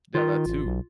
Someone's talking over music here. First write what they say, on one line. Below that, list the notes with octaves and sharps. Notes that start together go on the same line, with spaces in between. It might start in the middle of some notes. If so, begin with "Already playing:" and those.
Yeah, that too.
D#3 F4
A1
B1